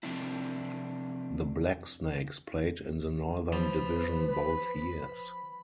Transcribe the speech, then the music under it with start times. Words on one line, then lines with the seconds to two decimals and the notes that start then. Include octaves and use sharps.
The Blacksnakes played in the Northern Division both years.
0.03 C3 F3 C4 D4 E4
3.52 F3 B4 B5